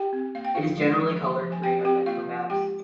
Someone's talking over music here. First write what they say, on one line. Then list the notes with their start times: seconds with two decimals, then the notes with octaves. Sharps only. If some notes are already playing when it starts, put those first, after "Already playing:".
It is generally coloured green on Metro maps.
Already playing: G4 G5
0.13 C4
0.35 A#3 F5
0.45 G5
0.55 F3 F4 F5
0.78 G#3
0.99 F3
1.21 A#3
1.42 F3
1.52 G#5
1.63 C4 G4 G5
1.85 C4 G4 G5
2.06 A#3 F4 F5
2.28 F3
2.49 G#3 G4 G5